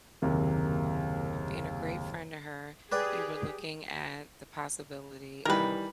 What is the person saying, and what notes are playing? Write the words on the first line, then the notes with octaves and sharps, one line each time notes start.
Being a great friend to her, you were looking at the possibility of
F#1 D#2 C3 A#3
G4 G#4 B4 D5 G5
D#3 E3 G3 A#4 B4